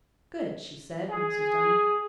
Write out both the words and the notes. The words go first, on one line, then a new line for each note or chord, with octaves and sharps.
"Good!" she said, when this was done.
G#4